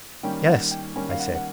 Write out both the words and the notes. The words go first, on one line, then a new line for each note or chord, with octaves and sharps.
"Yes," I said.
D#3 G3 A#3 C#4 G5
F#5
G5
D#3 G3 A#3 C#4 G#5
F5
F#5
F#5